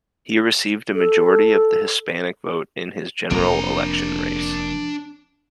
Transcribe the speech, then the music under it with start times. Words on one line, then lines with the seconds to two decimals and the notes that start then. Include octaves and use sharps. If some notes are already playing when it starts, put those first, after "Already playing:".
He received a majority of the Hispanic vote in his general election race.
0.95 A4
3.31 F1 F2 A#3 D4 A#5